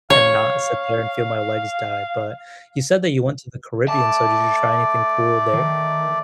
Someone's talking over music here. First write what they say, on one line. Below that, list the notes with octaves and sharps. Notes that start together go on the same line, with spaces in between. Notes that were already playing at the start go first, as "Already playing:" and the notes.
and not sit there and feel my legs die, but, you said that you went to the Caribbean, so, did you try anything cool there?
C#5 F5
A3 D5 A5
D#3